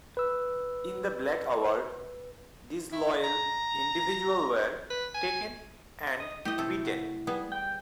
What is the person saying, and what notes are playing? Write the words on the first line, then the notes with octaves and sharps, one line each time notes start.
In the "black house" disloyal individuals were taken and beaten.
B4 E6
E4
A#5
B4
G#5
D#5
A3 E4 G4 D#5
C3 A4
F#4
G3 B3 G#4
G5